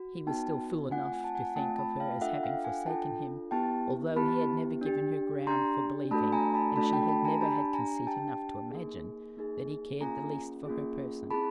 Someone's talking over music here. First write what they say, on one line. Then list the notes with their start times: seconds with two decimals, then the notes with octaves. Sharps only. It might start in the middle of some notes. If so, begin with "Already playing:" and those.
He was still fool enough to think of her as having forsaken him, although he had never given her ground for believing, and she had never had conceit enough to imagine, that he cared the least for her person.
Already playing: F#4
0.27 B3 D#4 F#4 G5 A5
0.91 A3 C4 F4 F#5 G#5
1.13 F#5 G#5
1.24 A5
1.35 F#5 G#5
1.56 A3 C4 F4 G5 A5
1.78 A5 B5
2.00 F5 G5
2.21 D4 F4 A4 E5 F#5
2.43 F5 G5
2.64 F#5 G#5
2.86 D4 F4 A4 G5 A5
3.51 B3 E4 G4 G5 A5
4.16 B3 E4 G4 A5 B5
4.81 D4 G4
5.47 D4 G4 A#5 C6
6.11 A3 D4 F#4 A4 A5 B5
6.32 G#5 A#5
6.54 A5 B5
6.76 A3 D4 F#4 A4 A5 B5
6.92 G5 A5
7.09 A5 B5
7.25 G#5 A#5
7.41 D4 G4 A5 B5
7.74 G#5 A#5
8.06 D4 G4 G5 A5
8.71 A#3 D#4 G#4
9.37 A#3 D#4 G#4
10.01 A#3 C#4 F4 G#4 G#5 A#5
10.66 A#3 C#4 F4 G#4
11.31 C4 E4 G#4 A5 B5